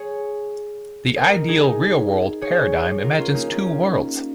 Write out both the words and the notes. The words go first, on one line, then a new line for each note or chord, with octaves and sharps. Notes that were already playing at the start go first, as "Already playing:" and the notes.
The ideal-real-world paradigm imagines two worlds.
Already playing: G#4 C#5
A#4 D#5
D#4 G#4
G#4 C#5
F4 A#4
C#4 F4
A#3 D#4
C#4 F4